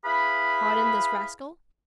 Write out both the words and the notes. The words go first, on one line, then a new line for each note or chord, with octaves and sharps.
"Pardon this rascal?"
E4 G#4 B4 F5 B5